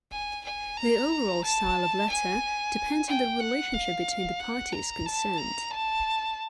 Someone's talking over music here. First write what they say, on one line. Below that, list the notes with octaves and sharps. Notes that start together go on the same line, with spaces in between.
The overall style of letter depends on the relationship between the parties concerned.
G#5
G#5
A#5
A5
G#5
G5
F#5
F5
F#5
A#5
A5
A#5
A5